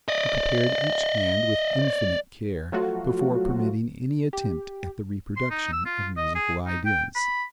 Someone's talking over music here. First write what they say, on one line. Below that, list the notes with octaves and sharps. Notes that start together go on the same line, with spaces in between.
He prepared each hand with infinite care before permitting any attempt at the reproduction of musical ideas.
D5 D#5
F3 F#3 A3 F4 F#4
G4
C6
D#4
E6
F4
D#5
G#4
D#4
G5
B5